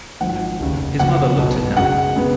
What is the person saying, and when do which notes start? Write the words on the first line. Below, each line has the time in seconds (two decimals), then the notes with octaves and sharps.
His mother looked at him.
0.21 G#1 G#2 F3 F#5
0.60 F1 D#2 C#3
0.99 F#1 F#2 F3 A#3 F#5
1.38 B1 B2 F#3 B3
1.77 F#2 C#3 G#3 F#5
2.16 C#3 G#3 B3